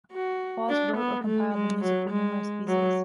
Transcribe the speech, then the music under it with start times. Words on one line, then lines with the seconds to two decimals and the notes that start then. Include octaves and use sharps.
Hawes wrote or compiled the music for numerous pieces.
0.12 F#4
0.69 D4
0.97 B3
1.25 A3
1.54 G#3
1.82 F#3
2.10 G#3
2.67 F#3